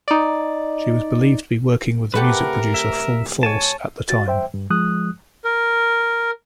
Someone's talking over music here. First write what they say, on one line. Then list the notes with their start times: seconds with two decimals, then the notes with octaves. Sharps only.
She was believed to be working with music producer Full Force at the time.
0.08 D#4 D5
2.14 C3 A3 G4 A#4 B4 F#5
2.74 E5
3.43 C#5 G#5 A5
4.09 F#4 A6
4.28 C5 E5 G5
4.54 G2
4.70 F3 G#3 D#6 F#6
5.45 A#4